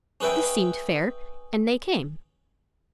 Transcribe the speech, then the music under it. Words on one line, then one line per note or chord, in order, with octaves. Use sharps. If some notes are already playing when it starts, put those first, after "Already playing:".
This seemed fair, and they came.
C#4 G#4 B4 E5 G5